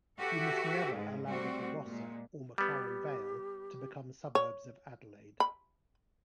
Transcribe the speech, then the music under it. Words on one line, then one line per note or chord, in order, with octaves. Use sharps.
We must never allow the Barossa or McLaren Vale to become suburbs of Adelaide.
F#4 G4 A4 B4 E5
G#2 G#3
G3 A3 C4 F#4
A#2 G#3
G3 B3 G4
C#5
B5